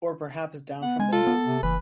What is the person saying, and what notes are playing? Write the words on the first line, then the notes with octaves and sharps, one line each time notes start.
Or perhaps down from the hills?
B3 F#5
G#3 G#5
F4 A4
B3
C3
F#1 E3 B4